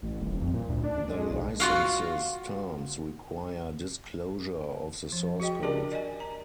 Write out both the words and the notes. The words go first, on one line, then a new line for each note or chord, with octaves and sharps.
The license's terms require disclosure of the source code.
A1
D#1
F2
A#2
D2
D4
G#3
B1
F4 F#4 F5
F3
F#4 G#4 D#5 G5
D4 G4 A#4 D5 A5
D5 D#5 G#5
A#5